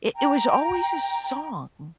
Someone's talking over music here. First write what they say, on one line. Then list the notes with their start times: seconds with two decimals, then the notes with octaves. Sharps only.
it it was always a song
0.16 G5 A#5